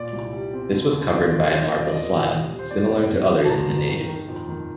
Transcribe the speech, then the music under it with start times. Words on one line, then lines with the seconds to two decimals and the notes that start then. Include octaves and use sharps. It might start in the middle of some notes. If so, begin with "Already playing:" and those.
This was covered by a marble slab, similar to others in the nave.
Already playing: A#2 D5
0.13 C2
0.33 G3
0.53 C4
0.72 D3
0.92 D#2
1.12 F3 D5
1.32 A#3
1.52 F4 C5
1.65 D#5
1.71 C4
1.78 D5
1.91 F4 D#5
2.11 A#2
2.31 D#2
2.51 G3
2.59 C5
2.71 C4 D5
2.90 C4
3.10 G2
3.30 A1
3.44 A5
3.49 A1 A#5
3.69 G2
3.89 D#3
4.09 D#3
4.29 F2
4.49 D#3